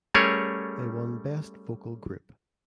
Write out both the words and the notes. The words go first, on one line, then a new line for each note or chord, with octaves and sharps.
They won Best Vocal Group.
G3 A3 C#4 G#4 A#4 C#5